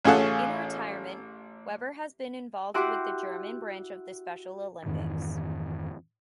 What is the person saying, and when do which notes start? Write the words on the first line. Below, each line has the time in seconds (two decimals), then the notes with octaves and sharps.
In retirement, Weber has been involved with the German branch of the Special Olympics.
0.05 A1 C#4 F4 G#4 A4 F#5
2.74 E4 F#4 G4 F#5 C6 D6
4.85 F2 G#2 D#3 E3